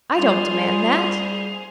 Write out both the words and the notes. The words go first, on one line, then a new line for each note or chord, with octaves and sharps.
I don't demand that.
G3 F4 G#4 C5 F7